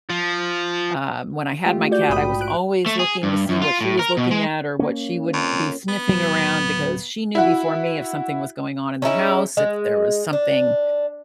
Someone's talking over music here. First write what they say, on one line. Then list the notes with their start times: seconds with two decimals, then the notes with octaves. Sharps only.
um, when I had my cat, I was always looking to see what she was looking at or what she would be sniffing around because she knew before me if something was going on in the house, if there was something
0.10 F3
1.66 G#3 A3 F4 G4
1.91 F#4 D5 G6
2.09 A#1 G#2 G5 B5 D#6
2.41 F#6 D7
2.86 A3
2.99 G#4
3.23 G2
3.49 F#2
3.62 F4
3.81 A2
3.99 A#4
4.17 B2
4.31 G#3
4.79 A#3 C#4
5.34 F2
5.88 B3
6.09 D1 F#3
7.35 E4 F#4
9.02 C#4 D#4 E4 G#4
9.57 G#3
10.33 D4